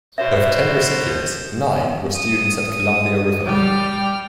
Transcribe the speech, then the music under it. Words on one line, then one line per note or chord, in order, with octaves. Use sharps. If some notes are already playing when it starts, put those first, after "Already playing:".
Of ten recipients, nine were students at Columbia River.
B2 F#4 C5 C#5 E5
D#6
G3 G5 F6